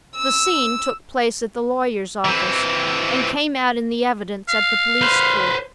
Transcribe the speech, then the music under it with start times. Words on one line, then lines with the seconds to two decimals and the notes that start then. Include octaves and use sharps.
The scene took place at the lawyer's office, and came out in the evidence at the police court.
0.16 E6
2.25 E3 C4
4.49 F5
5.01 B4 C5